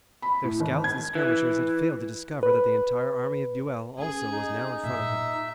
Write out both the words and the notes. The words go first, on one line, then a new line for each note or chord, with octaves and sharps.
Their scouts and skirmishers had failed to discover that the entire army of Buell also was now in front of them.
B5
A2
G#1
G#6
E3
B4
C#4 G#4
D#4
A#2 E5